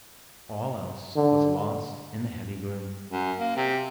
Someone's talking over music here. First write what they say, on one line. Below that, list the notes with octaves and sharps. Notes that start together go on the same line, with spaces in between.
All else was lost in the heavy gloom.
D3
F#2
A#3
C3